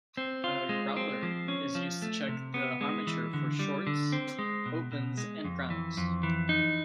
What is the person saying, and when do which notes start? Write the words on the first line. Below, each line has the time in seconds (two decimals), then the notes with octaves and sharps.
A growler is used to check the armature for shorts, opens and grounds.
0.17 C4
0.44 F4
0.69 G#3
0.97 C4
1.23 F3
1.48 C#4
1.75 F3
2.02 A3
2.28 C3
2.54 B3
2.81 G#3
3.07 E3
3.33 D3
3.59 G3
3.87 D3
4.12 C4
4.39 G#3
4.66 B2
4.92 B2
5.18 G#3
5.44 F2
5.70 E3
5.97 F2
6.23 E3
6.49 D#4